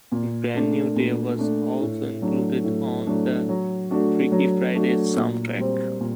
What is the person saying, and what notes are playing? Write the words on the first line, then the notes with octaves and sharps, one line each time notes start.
"Brand New Day" was also included on the "Freaky Friday" soundtrack.
A#2
A3 D4
A#2
A3 D4
A2
F#3 A3 D4
A2
F#3 A3 D4
F#3
A3 D4 F#4
F#3
A3 D4 F#4
A#2
G3 C4
A#2